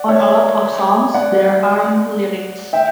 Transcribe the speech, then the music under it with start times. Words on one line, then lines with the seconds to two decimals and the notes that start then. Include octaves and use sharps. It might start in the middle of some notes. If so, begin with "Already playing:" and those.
On a lot of songs, there aren't lyrics!
Already playing: D5 F#5
0.09 C#5 E5
1.14 D5 F#5
2.73 E5 G5